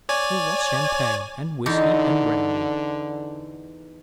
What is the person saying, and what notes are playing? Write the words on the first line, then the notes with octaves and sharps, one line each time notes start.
There was champagne, and whiskey, and brandy.
C#5 D5 G#5
E2 D3 D#4